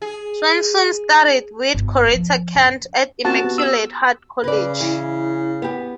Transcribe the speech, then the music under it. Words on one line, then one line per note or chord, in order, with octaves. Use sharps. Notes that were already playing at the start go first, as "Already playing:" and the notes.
Swanson studied with Corita Kent at Immaculate Heart College.
G#4
G1
F3
F#2
C4 C#4 F4 F#4 A5
B3 G4
E6
C#3 B4 D5
E3
B3 G4